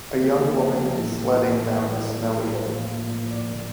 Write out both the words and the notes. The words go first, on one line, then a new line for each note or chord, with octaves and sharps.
A young woman is sledding down a snowy hill.
C#3 F3 A#3 F5
F5
G5
F5
A2 E3 A#3 E5
F5
E5
A2 E3 A3 E5
D5
F5
A2 F3 A#3 E5
F5
E5
F5
E5
D5
D5
D3 F3 A3